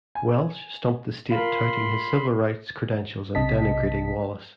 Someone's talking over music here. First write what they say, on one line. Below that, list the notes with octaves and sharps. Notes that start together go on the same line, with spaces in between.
Welsh stumped the state touting his civil rights credentials and denigrating Wallace.
G#5
F4 A#4 B5 C6
B1 C3 D#5 A5 B6